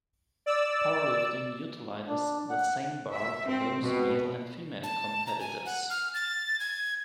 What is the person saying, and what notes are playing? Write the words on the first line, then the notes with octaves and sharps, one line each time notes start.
Powerlifting utilizes the same bar for both male and female competitors.
D5 E6
D4
F#5
E5
C4
B2
A5
A#5
G#5
F#5
F6
A6
G#6